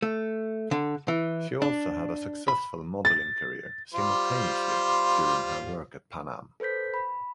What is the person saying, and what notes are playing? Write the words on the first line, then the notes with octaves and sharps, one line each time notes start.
She also had a successful modelling career simultaneously during her work at Pan Am.
A3
D3
E3
D4
B5
A6
G3 F4 C5
A4 B4 C5 G6 B6
B5